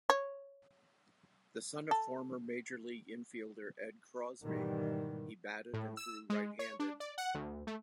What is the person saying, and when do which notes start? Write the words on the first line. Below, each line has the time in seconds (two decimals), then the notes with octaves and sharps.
The son of former major league infielder Ed Crosby, he batted and threw right-handed.
0.10 C#5
1.91 A4
4.43 G#2 B2 D#3 E3 G3
5.73 A2
5.97 E6
6.30 G#3
6.59 C#5
6.79 D4
7.00 D5
7.18 F#5
7.34 D2
7.67 A3